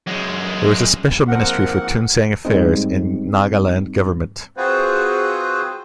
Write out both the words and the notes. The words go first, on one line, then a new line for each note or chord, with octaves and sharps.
There was a special Ministry for Tuensang Affairs in Nagaland Government.
F#2 G#3
G#2 F3 A#3 C4 A#4 F#5
G#2 G3 G#3 C4 D#4
C4 F4 F#4 G#4 B4 C5